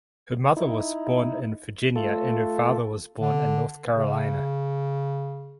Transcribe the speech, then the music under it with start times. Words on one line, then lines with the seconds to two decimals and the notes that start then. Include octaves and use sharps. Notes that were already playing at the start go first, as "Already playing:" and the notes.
Her mother was born in Virginia and her father was born in North Carolina.
0.57 D#4 E4
1.96 A3 F4 A4
3.20 D3
3.92 C#3